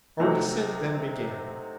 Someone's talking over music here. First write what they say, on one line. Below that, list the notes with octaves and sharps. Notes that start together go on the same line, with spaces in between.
Our descent then began.
C3 F#3 A3 D#4